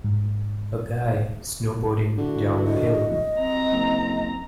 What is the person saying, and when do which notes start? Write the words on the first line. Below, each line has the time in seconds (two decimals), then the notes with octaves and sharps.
A guy snowboarding down a hill.
0.04 G#2
2.18 D3 E4 F#4
2.67 D#5
3.36 C4 A#5
3.72 F#1